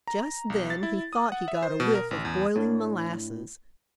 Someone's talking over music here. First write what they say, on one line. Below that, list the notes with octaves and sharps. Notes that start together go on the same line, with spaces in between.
Just then he thought he got a whiff of boiling molasses.
A#5
B1
A6
E4
D#6
F#5
E5
C5
B2
A#4
A1
E2
A2 D4